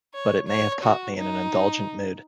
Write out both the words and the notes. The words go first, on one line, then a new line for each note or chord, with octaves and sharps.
But it may have caught me in an indulgent mood.
C#5
C#5
F#4
D#4